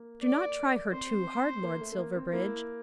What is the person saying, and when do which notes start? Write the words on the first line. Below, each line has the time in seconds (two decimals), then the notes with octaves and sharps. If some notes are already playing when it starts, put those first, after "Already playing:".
Do not try her too hard, Lord Silverbridge.
Already playing: A#3
0.22 D5
0.92 C4 C5
1.62 A#3
1.81 A3
1.92 A3
1.98 A#3
2.15 C4
2.33 A#3 E4